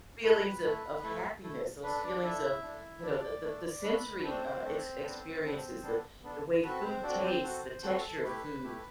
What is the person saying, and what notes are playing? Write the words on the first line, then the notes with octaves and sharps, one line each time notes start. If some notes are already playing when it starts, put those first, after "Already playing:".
feelings of of happiness, those feelings of, you know, the the the sensory, uh, ex experiences that the way food tastes, the texture of food,
A3 E4 A4 B4
A3 E4 A4
A3 E4 A4
A3 E4 A4
D4 A4 B4
D4 D5
D4 E4 A4 E5
D4 A4
D4 A4 D5
A3 D4 A4
A3 D4 A4 B4
A3 C4 D4 A4 C5
A3 D4 A4
B3 D4 A4
B3 D4 A4
B3 D4 A4
B3 D4 A4
C4 F#4 A4 B4
C4 C5
C4 D4 F#4 A4 D5
C4 C5
C4 F#4 A4
C4 F#4 A4
A4
A3 E4 G4 B4
A3 E4 G4